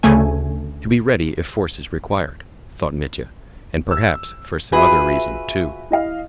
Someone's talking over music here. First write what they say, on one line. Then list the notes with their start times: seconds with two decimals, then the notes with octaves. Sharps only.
"To be ready if force is required," thought Mitya, "and perhaps for some other reason, too."
0.03 D2 C#3 A3 G#5
3.91 E6
4.72 F4 F#4 G#4 B4 E5
5.91 E4 D#5 F5